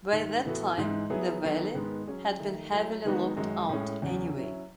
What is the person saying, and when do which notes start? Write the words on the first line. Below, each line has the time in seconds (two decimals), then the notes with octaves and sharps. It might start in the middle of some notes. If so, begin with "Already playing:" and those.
By that time, the valley had been heavily logged out anyway.
0.12 G#2 D#3 A3
0.45 A2 E3 B3 F#4 A4
0.77 G#2 E3 G#3
1.10 F#3 B3 E4 G#4
1.42 D#3 F#3 B3 F#4 A4
1.75 G#2 D#3 G#3 B3
2.07 F#3 C#4 G#4
2.40 D#3 A3 D#4
2.72 F#3 A3 E4
3.04 D#3 G#3 B3 D#4 F#4
3.36 F#2 D#3 G#3 D#4 F#4
3.69 A2 G#3 C#4 G#4
4.02 E2 C#3 F#3 C#4
4.35 F#3 C#4 E4